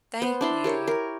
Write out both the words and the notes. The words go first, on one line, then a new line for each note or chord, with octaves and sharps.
Thank you.
B3 C5
D4 E4 C6
G4 A#4 C#5
A#4